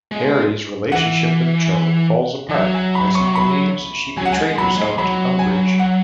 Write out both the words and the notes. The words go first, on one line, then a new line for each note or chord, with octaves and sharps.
Harry's relationship with Cho falls apart, as he believes she betrayed herself to Umbridge.
G#3
E3 F#5
E3
F#3 E5
G#5
B5
C#6
B5
F#3 G#5
F#5
G#5
G#3
F#3 B5
G#3
F#3 B5
G#5
F#5